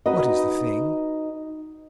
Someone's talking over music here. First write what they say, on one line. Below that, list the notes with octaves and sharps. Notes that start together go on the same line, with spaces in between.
"What is the thing?"
D#4 F#4 B4 D#5